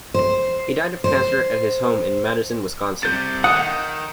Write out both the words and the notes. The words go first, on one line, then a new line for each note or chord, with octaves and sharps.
He died of cancer at his home in Madison, Wisconsin.
C5
C5
C2 C3 G6 A6
D#3 F#5 D#6